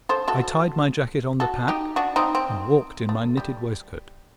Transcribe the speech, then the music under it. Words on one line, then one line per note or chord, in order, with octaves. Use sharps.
I tied my jacket on the pack, and walked in my knitted waistcoat.
A4 C5
F#4 A4
F#4 A4
D#4 G4
D4 F#4
C4 D#4
C4
A3
G3